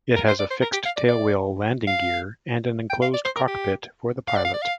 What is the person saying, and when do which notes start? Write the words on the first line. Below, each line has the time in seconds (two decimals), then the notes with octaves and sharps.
It has a fixed-tailwheel landing gear and an enclosed cockpit for the pilot.
0.16 A#4
0.28 C5
0.39 D5
0.50 C5
0.62 A#4
0.73 G4
0.85 F5
0.96 D5
1.08 D5
1.87 F5
2.90 G5
3.02 F5
3.14 D5
3.25 C5
3.36 A#4
3.48 G4
4.28 F5
4.36 D5
4.44 F5
4.54 D5
4.62 F5